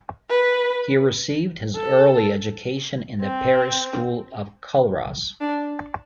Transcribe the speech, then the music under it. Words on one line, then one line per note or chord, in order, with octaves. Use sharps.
He received his early education in the parish school of Culross.
B4
A4
C4
D4